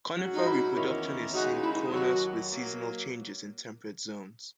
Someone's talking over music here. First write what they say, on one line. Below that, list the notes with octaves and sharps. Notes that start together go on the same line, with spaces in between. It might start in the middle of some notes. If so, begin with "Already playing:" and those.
Conifer reproduction is synchronous with seasonal changes in temperate zones.
G#2 F#3 C#4 F#4
D#4
E4
E2 D#3 A#3 C#4 E4
D#2 C#3 G#3 D#4 F#4
E4
D#2 D#3 F#3 F#4
F#3 A#3